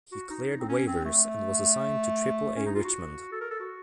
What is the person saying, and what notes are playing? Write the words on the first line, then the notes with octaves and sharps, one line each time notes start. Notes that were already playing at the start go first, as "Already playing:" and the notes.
He cleared waivers and was assigned to Triple-A Richmond.
F#4
D#4
C4
C#4
C4
A3
C#4
D#4
F4
F#4
A4
A#4
A4
F#4